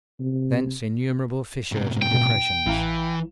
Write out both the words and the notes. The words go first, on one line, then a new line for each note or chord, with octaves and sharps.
Thence innumerable fissures and depressions.
C3
A2 C3
G5
B2
A1 E3 F5 A#5